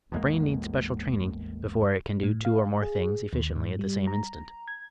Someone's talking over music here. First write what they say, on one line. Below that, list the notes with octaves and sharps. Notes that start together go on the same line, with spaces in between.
The brain needs special training before it can do two or more things efficiently at the same instant.
A1 E2 G#3 A#3
A2
F5
G#4
D#2
G#2
G3
A#5
G#6